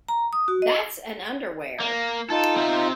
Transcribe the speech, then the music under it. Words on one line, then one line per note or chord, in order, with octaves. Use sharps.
That's an underwear.
A#5
D#6
F#4
D#5
A#3
D#4 F4 A4
C4 E5